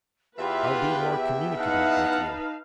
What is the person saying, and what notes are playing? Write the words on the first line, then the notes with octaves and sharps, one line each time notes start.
I'll be more communicative with you.
E2 F4 G4 B4 E5
D#4 B4 F5 F#5 A5